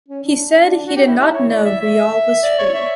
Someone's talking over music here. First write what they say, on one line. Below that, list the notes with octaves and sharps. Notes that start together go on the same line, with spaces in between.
He said he did not know Ryal was free.
C#4
D4
F#4
G4
E4
E4
C#5
D5
E5
E5
D5
C#5
E5